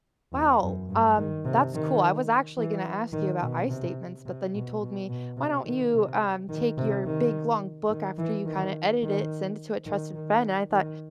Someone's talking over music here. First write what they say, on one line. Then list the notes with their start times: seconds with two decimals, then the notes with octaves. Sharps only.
Wow, um, that's cool, I was actually gonna ask you about "I" statements, but then you told me, "Why don't you, um, take your big, long book after you, kinda edit it, send it to a trusted friend," and I thought,
0.33 E2
0.61 F#2
0.89 G2
1.18 D#3
1.45 C3
1.73 D#3
2.58 E3
3.13 D#3
3.42 B2
3.69 C3
4.26 C3
4.54 B2
4.81 B2
5.09 B2
5.37 C3
5.65 D#3
5.94 C3
6.49 D#3
6.78 C3
7.06 D#3
7.90 D#3
8.18 E3
8.46 D#3
9.03 D#3
9.86 D#3
10.15 D#3
10.71 D#3